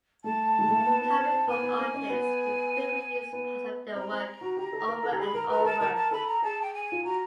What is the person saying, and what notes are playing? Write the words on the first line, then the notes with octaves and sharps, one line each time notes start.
Comic book artists could quickly use parts of their work over and over.
A3 A5
G#3
A3
A#3
B3
B3
C4
C4
B3 G#5
B3
C4
C#4
B3
B3
C4 A#5
C4
F#4
G4
A4
A#4
A4
G4
G#4 B5
A#4 A#5
B4 A#5
A4
A#4 A5
A#4 A5
A5
A4 B5
A#5
G#4 A5
G5
G#5
F4
F#4 A#5